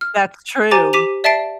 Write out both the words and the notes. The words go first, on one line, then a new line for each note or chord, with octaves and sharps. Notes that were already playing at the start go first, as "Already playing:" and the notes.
That's true.
F6
G4 C5 G#5 A#5 D6 A6
G4 D6 B6 D#7 F7
D5 E5 A5 A6 C7 D7